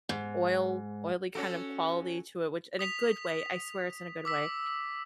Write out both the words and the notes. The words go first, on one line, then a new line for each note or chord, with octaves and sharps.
oil oily kind of quality to it, which in a good way, I swear it's in a good way.
G#2
C#4 F#4 A4
D#6 B6 F7
D6 E6 B6